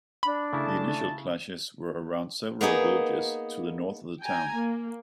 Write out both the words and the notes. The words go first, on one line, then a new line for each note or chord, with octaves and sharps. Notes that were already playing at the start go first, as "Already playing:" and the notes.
The initial clashes were around several villages to the north of the town.
D4 B5
C#3 A3 E4 A5
A#3 B3 D#4 G#4
G5 G#5 A#5
A#3